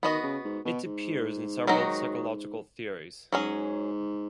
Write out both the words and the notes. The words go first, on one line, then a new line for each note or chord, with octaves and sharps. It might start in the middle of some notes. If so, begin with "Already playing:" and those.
It appears in several psychological theories.
D#3 B3 F#4 D#5
C#3
G#2
B2
G#2
D#3 F#3 D#4 F#4
G#2 F#3 C#4 G#4